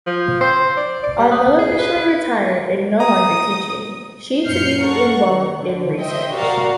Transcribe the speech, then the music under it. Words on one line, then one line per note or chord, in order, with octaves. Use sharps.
Although officially retired and no longer teaching, she to be involved in research.
F3
C5
D5
D5
G3
B3
G#4
B4
A#5 D#6
F#2 A#2 F6 G6 C7 C#7
A4 A#4 F#5 C#6
D#3
D3
C5 D#5 E5 G5
F#4 G4 A#4 D5 F5